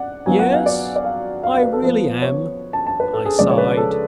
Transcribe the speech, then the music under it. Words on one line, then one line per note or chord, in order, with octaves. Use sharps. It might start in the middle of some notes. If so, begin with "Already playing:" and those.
"Yes, I really am," I sighed.
Already playing: D5 F#5
F#3 B3 F4 G#5
F#5
F5
D5
D5
F5
F5
F5
B4
A4
F3 B3 F4
C#5
A5
A5
B4
A4
G#4
C#3 F3 G#3 D5
C#5
B4
A4
A4